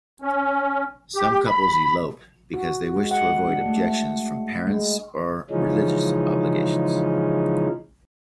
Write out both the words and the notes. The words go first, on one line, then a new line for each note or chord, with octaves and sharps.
Some couples elope because they wish to avoid objections from parents, or religious obligations.
C#4
G4
B5
F#4
G#3
F#5
D4
A3
G#3
C#3 E3 F3 G#3 C#4 D#4